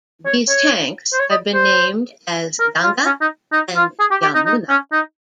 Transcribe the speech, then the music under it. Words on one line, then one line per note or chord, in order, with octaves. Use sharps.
These tanks have been named as Ganga and Yamuna.
C#5
C#5
C5
C#5
D#5
C5
A#4
F4
C#4
D#4
D#4
F4
G#4
G4
G4
D#4
D#4
C#4
D#4